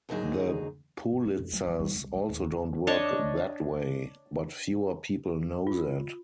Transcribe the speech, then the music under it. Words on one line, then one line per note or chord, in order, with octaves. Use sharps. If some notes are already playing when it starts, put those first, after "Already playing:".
The Pulitzers also don't work that way, but fewer people know that.
D#2 G#2 D3 F#3 D#4 G#4
G2
G#3
F2
F#3
F3
G3
C2
C#3
D#2
E3
D4 C#5 D#5 A5
F4